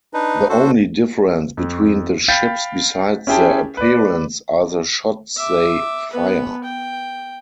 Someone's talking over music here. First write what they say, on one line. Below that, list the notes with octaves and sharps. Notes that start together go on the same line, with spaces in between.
The only difference between the ships besides their appearance are the shots they fire.
D4 D#4 B4
D4 F#4 A4 C5
F2
F5 G5 B5 G6 A6 B6
C#4 E4 G4 G#4 G5 A5
B4 D5
E5 D6
B3 B4
G5